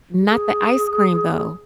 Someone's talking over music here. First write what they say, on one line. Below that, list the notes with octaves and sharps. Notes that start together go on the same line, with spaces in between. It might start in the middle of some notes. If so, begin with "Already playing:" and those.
not the ice cream though,
G#4